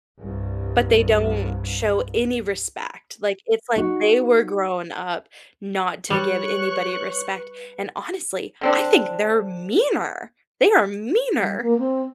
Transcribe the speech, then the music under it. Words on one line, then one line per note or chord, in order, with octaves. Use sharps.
But they don't show any respect. Like, it's like they were grown up not to give anybody respect, and honestly, I think they're meaner. They are meaner.
C2 G2
D#4 F#4
G3 B4 C#5 C#6 F#6
D3 C4 D4
G3
A#3
C4